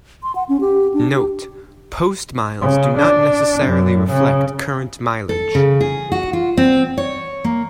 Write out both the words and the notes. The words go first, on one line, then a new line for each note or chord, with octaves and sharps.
Note: Postmiles do not necessarily reflect current mileage.
C6
F#5
C#4
G4
D4
G4
C#3
D4
F#2
C#3
A4
C#3
G#4
F#4
F4
C4
C#5
A#3